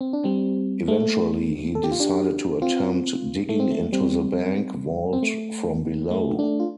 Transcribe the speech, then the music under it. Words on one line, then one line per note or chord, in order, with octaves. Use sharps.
Eventually he decided to attempt digging into the bank vault from below.
C4
D4
G3 C4
A3
A4
G4
F4
D4 G4
C4 F4
A3
C4
A3
G3 C4
C4
A3
A3
A3 D4
F4